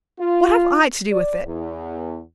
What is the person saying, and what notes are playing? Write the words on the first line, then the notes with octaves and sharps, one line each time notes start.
What have I to do with it?
F4
D5
E2